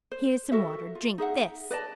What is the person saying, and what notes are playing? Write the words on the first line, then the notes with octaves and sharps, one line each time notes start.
"Here's some water, drink this!"
C5
F#4 A4 A#4 E5
F4
D#4 G#4 E5 F#5
B4 D5 D#5 A5